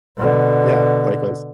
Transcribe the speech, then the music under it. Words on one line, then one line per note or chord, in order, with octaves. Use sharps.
Yeah, likewise.
B2 D3